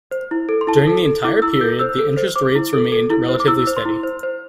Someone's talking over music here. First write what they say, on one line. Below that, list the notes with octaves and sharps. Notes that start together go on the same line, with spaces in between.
During the entire period, the interest rates remained relatively steady.
C5
E4
A4
C6
E4 A5
A4
A4
E4 D6
E4 E6
A4 G6
C5 E6
A4
C5
C5 D6
E4
A4
A4
E4
C5
D6
E4 E6
C5
C6
E4
C5
C5